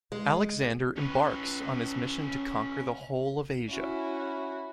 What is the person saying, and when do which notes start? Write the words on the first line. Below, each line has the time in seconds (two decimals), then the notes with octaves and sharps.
Alexander embarks on his mission to conquer the whole of Asia.
0.12 G#3
0.96 C#4 B4
3.69 C#4 E4 F#4